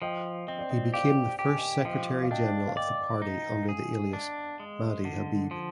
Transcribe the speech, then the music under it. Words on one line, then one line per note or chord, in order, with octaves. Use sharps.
He became the first secretary general of the party under the alias Mahdi Habib.
F3 D#5 G5
C4 D#5
D5
C5 D#5
G4 D5 F5
G4 G5
G#5
D#5 G5
F3 D#5 G5
F5
D4 D#5 G5
F5
D5 D#5 G5
D#4
G#4
D4
G#3
D3
F3